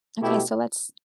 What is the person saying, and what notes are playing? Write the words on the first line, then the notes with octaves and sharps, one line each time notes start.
Okay, so let's
B2 A3 E4 G4